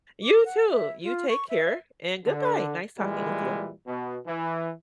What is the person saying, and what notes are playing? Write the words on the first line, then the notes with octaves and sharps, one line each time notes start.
You too. You take care, and goodbye. Nice talking with you
D6
F#5
E5
F4
C#6
E5
D3
A#2 E3 G3 G#3
B2
E3